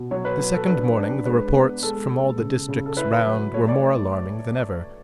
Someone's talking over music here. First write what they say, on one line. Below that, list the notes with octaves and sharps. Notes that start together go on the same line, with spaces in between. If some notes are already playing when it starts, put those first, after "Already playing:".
The second morning the reports from all the districts round were more alarming than ever.
Already playing: B2
F#3 C#5
B4
F#3
A4
D4 B4
D4
G#3 B4
B3
G#3 A4
G#3
C#3
C#3
A4
E4 B4
F#3
A3 C#5
D5